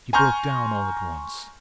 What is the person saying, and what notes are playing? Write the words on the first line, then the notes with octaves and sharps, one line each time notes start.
He broke down all at once.
G#5 A#5 C6 C#6 F6 G6